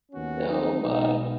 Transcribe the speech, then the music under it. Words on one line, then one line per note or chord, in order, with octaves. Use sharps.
Oh, my,
D#2 D#3 B3 C#4 F#4
D#4
B1 B2 G#3 B3 D#4